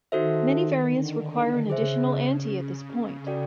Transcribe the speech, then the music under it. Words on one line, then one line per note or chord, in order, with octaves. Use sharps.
Many variants require an additional ante at this point.
D#3 D#4 F#4 A4 C5 E5
D3
C#3 G#4 C5 E5
F#4 A4 D5 G5